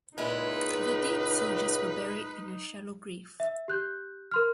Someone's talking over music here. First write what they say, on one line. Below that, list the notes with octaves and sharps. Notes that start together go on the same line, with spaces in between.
The dead soldiers were buried in a shallow grave.
C#2 A#2 G#3 D#4 E4 B4
E5
G4 F#6 G6
A#4 C6 F6